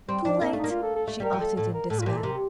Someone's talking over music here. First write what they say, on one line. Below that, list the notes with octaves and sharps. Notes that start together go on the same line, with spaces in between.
"Too late," she uttered in despair.
G3 C4
F3 D4
A#3 C4
A3
D#4
A#3
F4
A4
A4
A3
G3 A#4
F3
A4
A2 A4
A#4
A2 A4
F4
A2
A#2 G4
A4
C3 A#4